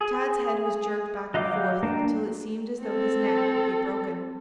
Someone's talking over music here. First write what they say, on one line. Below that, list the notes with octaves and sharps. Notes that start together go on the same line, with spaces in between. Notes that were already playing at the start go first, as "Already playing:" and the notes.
Tad's head was jerked back and forth until it seemed as though his neck would be broken.
G#4
F#3 D#5 F5 G5 D6
A#3 D4 G5
C4 A4